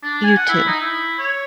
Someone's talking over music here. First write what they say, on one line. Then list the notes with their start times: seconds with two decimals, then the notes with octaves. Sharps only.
You too.
0.03 D4
0.24 G#5
0.37 F#5
0.49 E4
0.67 D#4
0.80 E4
1.19 C#5